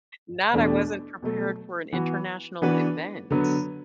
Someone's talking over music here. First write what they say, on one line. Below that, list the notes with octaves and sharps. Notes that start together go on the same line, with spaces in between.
Not, "I wasn't prepared for an international event."
E2 B2 A3 D4
B2 F#3 A3
E3 B3 F#4
E3 B3 D4 F#4 B4
D3 F#3 B3